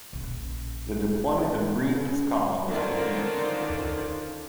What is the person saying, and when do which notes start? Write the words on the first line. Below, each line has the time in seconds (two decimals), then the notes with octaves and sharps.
The deployment of Greene's column was confused.
0.13 A#1 C#3
2.68 D3 D#3 C#4 F4 C5 D5